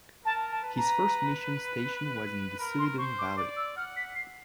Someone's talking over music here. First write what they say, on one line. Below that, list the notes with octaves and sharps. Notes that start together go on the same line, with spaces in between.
His first mission station was in the Silindung Valley.
A#4 A5
A5
B4
A#5
A#4 B5
C6
C5 C#6
D6
D5 D6
E6
F#5 F6
B6
C7